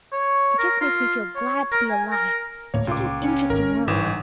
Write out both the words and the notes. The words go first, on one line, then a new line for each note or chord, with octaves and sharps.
It just makes me feel glad to be alive--it's such an interesting world.
C#5
A#4
F4
C#5
A#4
G#5
A#4
D2 A2 A#3 C#5
C#2 A#2 C6 D6
C#4 C#7
G#1 A#4
G1 G#2 E3 E7